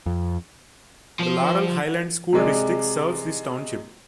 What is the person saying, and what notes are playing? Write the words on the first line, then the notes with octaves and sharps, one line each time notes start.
The Laurel Highlands School District serves this township.
F2
F3 C5
C3 G#3 D5